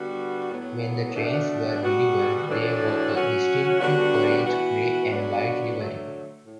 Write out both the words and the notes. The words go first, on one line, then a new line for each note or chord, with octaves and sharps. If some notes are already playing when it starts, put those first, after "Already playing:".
When the trains were delivered they wore a distinctive orange, grey, and white livery.
Already playing: D3 G3 B3 F#4
A2 F#3 B3
B2 A3 D4
B2 G3 B3 F#4
A2 E3 A3 D4 F#4
F#3 C#4 F#4
D3 G3 B3 D4 F#4
E3 B3 F#4
F#3 B3 D4 F#4
D3 F#3 A3
A2